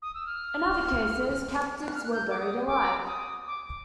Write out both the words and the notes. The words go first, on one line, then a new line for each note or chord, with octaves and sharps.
In other cases, captives were buried alive.
D#6
E6
F6
F#6
F6
F#6
G6
D6
D#6
D6
D#6
D6